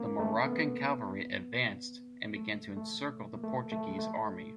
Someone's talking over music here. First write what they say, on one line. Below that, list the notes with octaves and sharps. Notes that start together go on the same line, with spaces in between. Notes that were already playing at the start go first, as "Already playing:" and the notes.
The Moroccan cavalry advanced and began to encircle the Portuguese army.
Already playing: A#3 C#4
A3
B3
A3
A3
A#3
A3
A3
G#3
A3